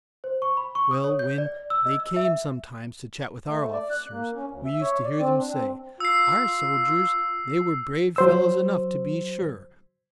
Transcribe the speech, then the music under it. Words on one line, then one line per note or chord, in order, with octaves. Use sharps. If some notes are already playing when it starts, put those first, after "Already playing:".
Well, when they came sometimes to chat with our officers, we used to hear them say, 'Our soldiers they were brave fellows enough, to be sure!
C5
C#6
B5
C#6
D#6
C#5
G6
D5
E6
D#5
E6
E5
A3
D5
F#6
A#3
C#4
D2
E5
C#5
D5
C4
D4
C4
F4 E6 C7
F#3 C5 E6